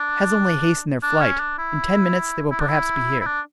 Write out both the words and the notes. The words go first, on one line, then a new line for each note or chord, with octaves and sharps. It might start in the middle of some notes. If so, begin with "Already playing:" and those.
"Has only hastened their flight; in ten minutes they will perhaps be here."
Already playing: D4
D4
C#4
D4
E4
E4
D4
E4
E4
D4